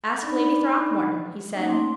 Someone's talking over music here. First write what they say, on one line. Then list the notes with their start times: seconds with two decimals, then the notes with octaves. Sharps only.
"Ask Lady Throckmorton," he said.
0.22 D4 D#4 D5 B5 D6
1.55 A3 A#3 C#4 D#4
1.67 A3 C6 D6